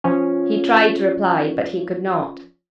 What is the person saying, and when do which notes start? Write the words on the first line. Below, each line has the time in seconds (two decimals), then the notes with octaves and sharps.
He tried to reply, but he could not.
0.04 F3 C#4